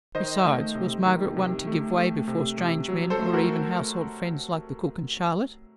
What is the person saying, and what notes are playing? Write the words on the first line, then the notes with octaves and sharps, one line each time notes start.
Besides, was Margaret one to give way before strange men, or even household friends like the cook and Charlotte!
D#3 C5 D#5
A3
C3
D#3
C3
A3
A3
C3
C3
F#3
A4 C5
A3
F#4 A#4